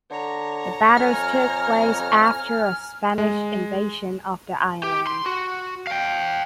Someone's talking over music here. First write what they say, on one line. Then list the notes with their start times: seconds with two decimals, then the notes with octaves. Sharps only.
The battles took place after a Spanish invasion of the island.
0.11 D3 C#5 A#5
0.97 F2 G#5 F6
3.18 G#3
4.83 G4
5.07 C6
5.26 F#4
5.87 F5 G5